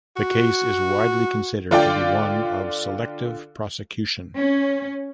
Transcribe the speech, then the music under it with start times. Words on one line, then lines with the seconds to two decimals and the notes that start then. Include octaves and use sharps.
The case is widely considered to be one of selective prosecution.
0.16 F#4
1.71 D3 F4 D5 G5
4.36 C#4